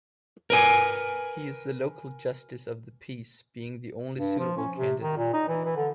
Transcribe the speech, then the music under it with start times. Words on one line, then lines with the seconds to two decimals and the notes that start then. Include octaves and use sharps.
He is the local Justice of the Peace, being the only suitable candidate.
0.50 A#4 B4 G#5
4.17 G2
4.39 F3
4.57 C#4
4.77 C3
5.02 D#3
5.17 A#2
5.34 D#4
5.48 E3
5.65 E3
5.76 D3